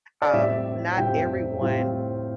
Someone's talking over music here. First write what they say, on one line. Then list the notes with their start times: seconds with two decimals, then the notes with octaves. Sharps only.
um, not everyone
0.22 D5
0.33 A2 G3 C4 F4 E5
0.97 A2 G3 C4 F4 G5
1.61 A2 G3 C4 F4